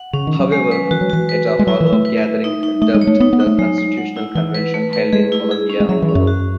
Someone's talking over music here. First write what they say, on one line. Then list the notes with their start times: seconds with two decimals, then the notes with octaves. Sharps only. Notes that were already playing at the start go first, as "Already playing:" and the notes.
However, at a follow-up gathering dubbed The Constitutional Convention, held in Columbia, Mo.
Already playing: F#5
0.13 C#3 C#4
0.27 D#3
0.33 C#4
0.40 F#3
0.52 G#3
0.71 B4
0.91 E3 F#4
1.01 F#3
1.10 E3 F#4
1.29 B4
1.48 B4
1.59 G#3
1.67 F#3 E4
1.80 E3
1.87 E4
1.93 A3
2.05 B4
2.24 E5
2.44 D#4
2.63 D#4
2.82 A3 D#4
2.94 G#3
3.01 C#5
3.07 A3
3.20 B3 D#4
3.33 B3
3.40 D#4
3.47 A3
3.58 F#3 G#3
3.78 G#3
3.98 F#5
4.16 E4
4.35 E3 E4
4.55 B4
4.74 A3
4.93 B4
5.13 G#3 G#4
5.32 E4
5.51 G#4
5.70 C#4
5.80 G#3
5.89 F#3 E5
6.02 E3
6.09 C#4
6.15 F#2
6.27 F#4